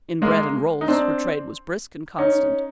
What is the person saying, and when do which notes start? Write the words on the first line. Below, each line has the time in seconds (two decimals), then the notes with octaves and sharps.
In bread and rolls her trade was brisk and constant.
0.22 G#3 A#3
0.81 D#4
0.88 C4 D4
2.19 C#4 D#4